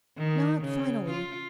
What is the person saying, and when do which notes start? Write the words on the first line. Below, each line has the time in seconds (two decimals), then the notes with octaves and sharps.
'Not finally.
0.17 D#3
0.64 C#3
1.11 F4